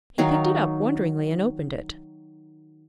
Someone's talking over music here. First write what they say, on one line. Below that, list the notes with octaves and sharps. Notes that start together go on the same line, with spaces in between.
He picked it up, wonderingly, and opened it.
D#3 F#3 D#4 F5